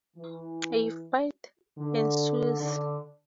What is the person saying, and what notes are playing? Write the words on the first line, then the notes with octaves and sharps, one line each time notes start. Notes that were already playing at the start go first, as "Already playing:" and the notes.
A fight ensues.
E3
D3
D3